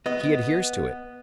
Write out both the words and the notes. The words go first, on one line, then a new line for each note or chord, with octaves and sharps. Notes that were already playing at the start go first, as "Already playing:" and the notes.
He adheres to it.
B3 D#5